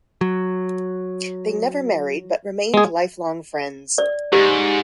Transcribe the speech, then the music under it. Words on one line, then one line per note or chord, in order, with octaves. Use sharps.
They never married but remain lifelong friends.
F#3
G#3 G#4
D5
G#2 G4